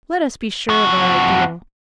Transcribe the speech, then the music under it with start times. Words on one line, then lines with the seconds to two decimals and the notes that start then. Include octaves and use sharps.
Let us be sure of our ideal.
0.69 F2 F#4